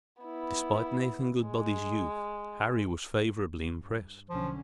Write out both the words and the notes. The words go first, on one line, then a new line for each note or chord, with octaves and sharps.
Despite Nathan Goodbody's youth Harry was favorably impressed.
B3 E4
G#3
G2
B1 D3 F3 C#4